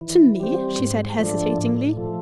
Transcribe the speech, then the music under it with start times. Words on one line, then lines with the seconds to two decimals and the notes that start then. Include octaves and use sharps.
"To me?" she said, hesitatingly.
0.01 E3
0.40 G3 C4
0.79 G#2
1.19 F3 A3 D4
1.58 A2
1.97 F3 A3